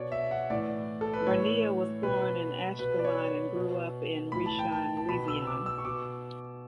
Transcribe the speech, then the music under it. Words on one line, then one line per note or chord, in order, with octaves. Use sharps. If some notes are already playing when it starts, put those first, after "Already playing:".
Barnea was born in Ashkelon and grew up in Rishon Lezion.
Already playing: B2 C#5 D5
E5
F#5
A2 E3 D5
A4
B4
A2 E3 C#5
B2 B4
B2 B4
D5
C#5
B2
A2 E3 B5
A5
G5
A5
A5
B2 B5
E6
D6
E6
C#6
B2 D6